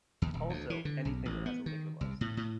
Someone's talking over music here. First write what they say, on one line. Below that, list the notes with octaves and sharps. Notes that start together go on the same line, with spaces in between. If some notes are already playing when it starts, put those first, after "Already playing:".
Also, anything that has a liquor license.
D#2
D#1
D2
E3
D3
B1
A1
B3
D#3
C2
A2
A2